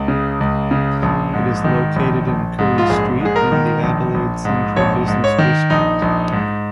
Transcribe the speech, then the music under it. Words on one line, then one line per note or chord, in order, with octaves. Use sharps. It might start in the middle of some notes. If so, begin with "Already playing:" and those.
It is located in Currie Street in the Adelaide central business district.
Already playing: C#2
C#3
C#2
C#3
A#1
G#2
D#3
A#1
A#1
G#2
F4
A#1 G#4
G#2 G#4
A#4
D#3
A#1
A#1
G#2
A#1 C#5
G#2
C#5
D#3
A#1 D#4
A#1
G#2